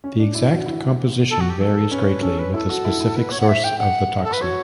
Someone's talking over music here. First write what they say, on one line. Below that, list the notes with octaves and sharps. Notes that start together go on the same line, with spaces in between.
The exact composition varies greatly with the specific source of the toxin.
C#4
D4
E4
F#4
E4
A4
F#4
G4
A4
C#4 B4
B4
C#4 A4
B4
E4 A4
F#4
E4
E4
B4
C#5
F#5
E5
G5
F#5
A4
B4
F#4 C#5